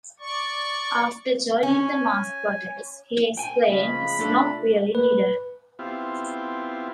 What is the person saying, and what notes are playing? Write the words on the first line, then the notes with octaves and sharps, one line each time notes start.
After joining the mass protest, he explained: It's not really needed...
D5 C#6
C#4 G#5
G5 G#5
C#3 F3 G#3 B5
A3 D4 F4 A4
B4
B3 C4 E4 F4 G4